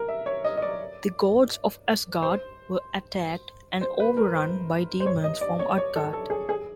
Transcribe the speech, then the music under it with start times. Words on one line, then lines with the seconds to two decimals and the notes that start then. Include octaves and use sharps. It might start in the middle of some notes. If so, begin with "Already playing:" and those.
The gods of Asgard were attacked and overrun by demons from Utgard.
Already playing: A#4
0.08 E5
0.26 C#5
0.44 D#5
0.57 D#5
0.62 D5
2.23 C5
3.81 C5
4.00 B4
4.17 A#4
4.35 C5
5.00 C5
5.06 C#5
5.24 D#5
5.41 D5
5.59 C#5
5.78 C#5
5.96 A4
6.13 A4
6.30 G#4
6.49 G#4